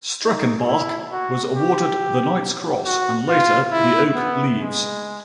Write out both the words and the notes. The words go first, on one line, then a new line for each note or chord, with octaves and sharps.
Streckenbach was awarded the Knight's Cross, and later the Oak Leaves.
D#4
E4
F#4
G4
F#4
F4
E4
B3
G#3